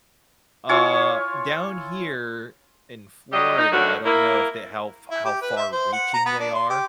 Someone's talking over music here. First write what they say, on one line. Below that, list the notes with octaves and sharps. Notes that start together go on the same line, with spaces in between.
Uh, down here in Florida, I don't know if they how f how far reaching they are,
E4 F4 C#5 G#5
F#3 G3 D#5
D#4
D2 D3 D#3 F#3 F#4
A#3 E4
E4
G4
B4
E5
C5
F#5
A#5
B3
D4
C6
G4